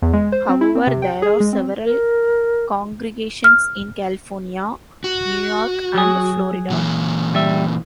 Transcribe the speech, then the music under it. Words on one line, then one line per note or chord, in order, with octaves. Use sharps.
However, there are several congregations in California, New York, and Florida.
E2
G#3
C5
C4
E4
C4
C3
G5
G#4
G#3
C4
A#4
F6
F#4
F#3 G#4
A#2 E3
G3 E5